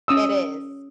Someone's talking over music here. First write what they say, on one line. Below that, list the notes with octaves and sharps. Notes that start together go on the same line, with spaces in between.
It is.
C#4 D#6 E6